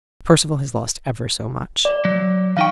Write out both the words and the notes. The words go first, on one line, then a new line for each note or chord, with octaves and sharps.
"Percival has lost ever so much."
D5
F#3
E3 D#4 F5 G5 C#6